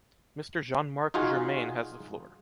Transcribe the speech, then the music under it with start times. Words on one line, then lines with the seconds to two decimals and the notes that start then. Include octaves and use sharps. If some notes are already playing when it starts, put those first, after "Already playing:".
Mr. Jean-Marc Germain has the floor.
1.14 D#4 F4 F#4 G#4